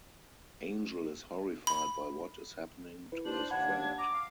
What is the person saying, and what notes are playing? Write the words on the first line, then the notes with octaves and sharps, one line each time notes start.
Angel is horrified by what is happening to his friend.
B5
E4 B4
D4 C5 F#7
D#2 D4 F#5 B5 G#6
A#5 D6
F5